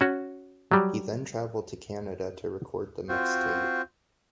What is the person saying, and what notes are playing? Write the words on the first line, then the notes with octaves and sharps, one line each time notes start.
He then traveled to Canada to record the mixtape.
C#4 F#4
F#3 G3
C4 F4 F#4 C5